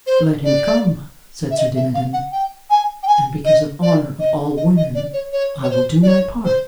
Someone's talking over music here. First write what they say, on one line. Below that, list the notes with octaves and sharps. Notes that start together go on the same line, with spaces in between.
Let him come, said Sir Dinadan, and because of honour of all women I will do my part.
C5
D5
E5
D#5
E5
F5
F#5
G5
G#5
G5
G#5
D#5
D5
D#5
D#5
D#5
D5
C#5
C#5
C#5
C5
D5
C#5
C5